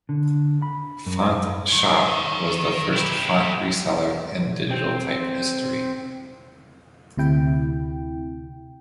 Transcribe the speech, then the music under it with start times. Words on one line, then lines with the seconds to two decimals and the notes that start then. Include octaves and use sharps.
FontShop was the first font reseller in digital type history.
0.09 D3
0.62 B5
1.06 F#2
1.72 D#3
2.93 E4 G4
4.71 C4
7.17 D2 C3 E4 G5